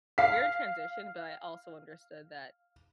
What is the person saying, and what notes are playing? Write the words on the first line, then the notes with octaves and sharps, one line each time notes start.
weird transition, but I also understood that
F5 B6